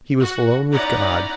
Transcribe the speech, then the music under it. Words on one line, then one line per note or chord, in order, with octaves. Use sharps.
He was alone with God.
F#4
C#4 D#4 E4 D5 F#5 A#5